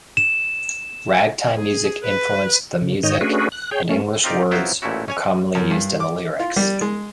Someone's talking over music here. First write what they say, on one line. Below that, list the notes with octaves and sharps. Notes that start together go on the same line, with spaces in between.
Ragtime music influenced the music, and English words were commonly used in the lyrics.
E7
G#4
B4
C#3
G#2 D#3 D#4 C#5 D#5
A3 C#4 D4 F#4 G#4 B4
F#6
G#4 C#5 G5
A3 C#4
C4 D#4 F4 G4 A#4 D5
C2 F#3 B3 E4 F4 C5
A1 A#2 A3 C#4 E4 F#4
C#4 C#5 G#5
F#2
G2
D6
F4
G3
G#3